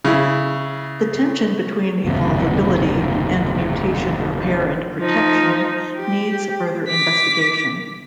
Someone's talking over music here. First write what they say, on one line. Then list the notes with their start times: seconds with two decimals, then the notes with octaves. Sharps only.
The tension between evolvability and mutation repair and protection needs further investigation.
0.05 C#3 E4
2.04 F#1 D#2 C3
4.99 F3 D#4
5.97 G4
6.88 D6 B6